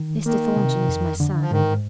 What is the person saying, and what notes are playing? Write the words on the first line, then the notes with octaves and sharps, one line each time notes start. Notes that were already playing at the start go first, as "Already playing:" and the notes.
Mr. Thornton is my son.
Already playing: D#3
D#3 A#3
C3
F2
D3
F3
G#2 D#3